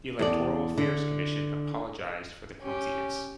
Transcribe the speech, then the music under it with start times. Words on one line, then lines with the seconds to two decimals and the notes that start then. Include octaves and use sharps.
The Electoral Affairs Commission apologised for the clumsiness.
0.19 E2 A4 D5
0.78 D3
2.62 C#4 G4